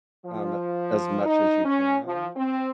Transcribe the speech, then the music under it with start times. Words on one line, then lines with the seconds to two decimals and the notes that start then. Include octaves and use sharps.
um, as much as you can,
0.25 F3
1.25 D#4
1.64 C#4
2.05 F3
2.36 C4